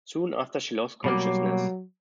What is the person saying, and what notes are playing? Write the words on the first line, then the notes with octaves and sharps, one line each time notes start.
Soon after she lost consciousness.
B2 F#3 G3 A#3